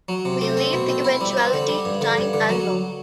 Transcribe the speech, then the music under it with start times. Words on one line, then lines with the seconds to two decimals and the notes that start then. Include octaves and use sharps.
We leave the eventuality to time and law.
0.09 F#3
0.25 C3
0.41 A3
0.57 C4
0.73 B2
0.89 C4
1.04 E4
1.21 G3
1.37 C4
1.53 D3
1.68 G3
1.85 G2
2.01 D3
2.18 G2
2.33 D3
2.49 F#3